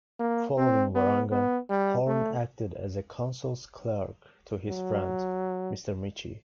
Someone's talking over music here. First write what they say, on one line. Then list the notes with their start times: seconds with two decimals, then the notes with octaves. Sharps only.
Following Waranga, Horne acted as a "counsel's clerk to his friend, Mr Mitchie".
0.20 A#3
0.58 C4
0.95 B3
1.32 B3
1.70 G3
2.07 A3
4.68 F#3